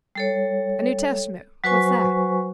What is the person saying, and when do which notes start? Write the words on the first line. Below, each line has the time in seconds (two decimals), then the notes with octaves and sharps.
"A New Testament; what's that?"
0.15 G3 A4 C#5
1.64 F#3 F#4 B4 C5 G#5 C#6